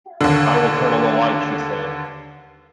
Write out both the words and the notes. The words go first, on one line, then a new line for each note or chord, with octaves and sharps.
"I will turn on the light," she said.
D#2 D3